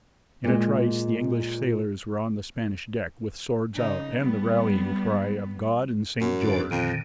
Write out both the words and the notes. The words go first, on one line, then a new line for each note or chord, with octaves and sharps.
In a trice the English sailors were on the Spanish deck with swords out and the rallying-cry of 'God and St George!
A#2 G#3
C#3 D#4
G3 B3
F#2
G#2 D3 D4
F2 A#2 D3 D#3